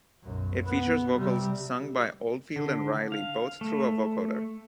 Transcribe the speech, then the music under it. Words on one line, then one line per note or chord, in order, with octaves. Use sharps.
It features vocals sung by Oldfield and Reilly, both through a vocoder.
B1 F#2
B3
C3 G3
D3
F5
A3